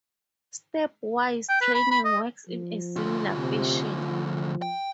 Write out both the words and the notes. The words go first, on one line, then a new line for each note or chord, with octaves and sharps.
Step-wise training works in a similar fashion.
G5
B4
B5
B5
D#5
F3
D2 F4
C3
F3
G5